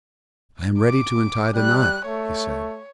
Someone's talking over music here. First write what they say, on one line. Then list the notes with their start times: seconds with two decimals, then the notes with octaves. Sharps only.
"I am ready to untie the knot," he said.
0.79 D6
1.55 G3 F#6
2.07 A3 C#5